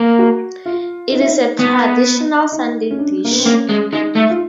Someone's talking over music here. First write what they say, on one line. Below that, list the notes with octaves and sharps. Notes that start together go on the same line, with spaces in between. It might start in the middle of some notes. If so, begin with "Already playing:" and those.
It is a traditional Sunday dish.
Already playing: A#3
F#4
F4
D#4
E4
D#4
B3
D#4
C#4
D4
A#3
B3
C4
A#3 C#4
G#3
G#3 D#4
A3
F4